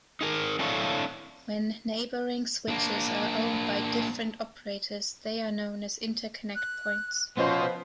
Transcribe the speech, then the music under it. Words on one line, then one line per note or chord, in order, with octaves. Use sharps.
When neighboring switches are owned by different operators, they are known as interconnect points.
D#4 G#4 A#4
C4 D4 E4 A4 C#5 F5
A#3 D4
F#6
F3 B3 C#4 B4 C5 D#5